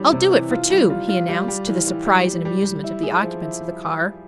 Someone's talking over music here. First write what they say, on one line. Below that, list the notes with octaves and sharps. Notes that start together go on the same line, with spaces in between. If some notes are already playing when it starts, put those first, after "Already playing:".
"I'll do it for two," he announced, to the surprise and amusement of the occupants of the car.
Already playing: E3 G3 C#4
C3
E3
F4
G3
F4
F4
G3
G3
E3
E3
G3
G3
G3
G3
E4
G#4
F3
E4